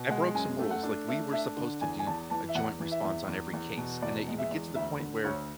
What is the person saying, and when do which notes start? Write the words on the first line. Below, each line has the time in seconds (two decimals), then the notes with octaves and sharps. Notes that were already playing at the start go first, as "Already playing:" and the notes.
I broke some rules. Like, we were supposed to do a joint response on every case, and that you would get to the point where
Already playing: B2
0.10 G#3 F#5
0.34 F#2 G#5
0.59 A3
0.71 F#5
0.83 D4
1.08 A3 E5
1.32 D4 E5
1.57 D3
1.81 E2 G#5
1.99 G#5
2.07 E2 A5
2.30 E3 A5
2.49 E5
2.55 E2 F#5
2.80 E3
2.91 E5
3.04 E2
3.28 E2
3.53 E2
3.77 B2
4.02 E2 D5
4.27 G#3
4.38 E5
4.51 E2
4.75 D2 E5
5.00 D3
5.24 D2 C#5